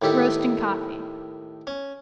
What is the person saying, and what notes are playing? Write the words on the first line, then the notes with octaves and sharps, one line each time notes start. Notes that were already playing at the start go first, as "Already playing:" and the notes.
Roasting Coffee.
A2 D#3 G4 A4 B5
C#4